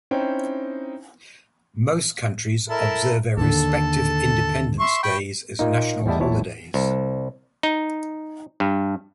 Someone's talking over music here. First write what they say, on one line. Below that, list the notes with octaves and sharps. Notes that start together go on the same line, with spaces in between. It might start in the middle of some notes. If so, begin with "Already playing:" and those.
Most countries observe their respective independence days as national holidays.
C4 C#4 D#4 E4 C5 G5
E4 A4 A#4
D#2 D3 A4
E5 C6 C#6
G5 B5 C#6
A#2 A#3 D#4
E2 A2 G3 E4 D#5 A5
B1 E2 A#2 E4 C#5 A5
C2
D#4
G2